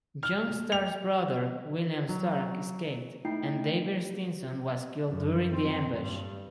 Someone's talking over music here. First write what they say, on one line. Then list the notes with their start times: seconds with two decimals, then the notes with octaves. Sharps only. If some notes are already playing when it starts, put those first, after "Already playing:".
John Stark's brother William Stark escaped, and David Stinson was killed during the ambush.
0.23 F6
0.72 F7
2.09 F#3
3.25 A3 D#4 E4 G5 C7
5.10 F#2
5.50 C4
5.99 G2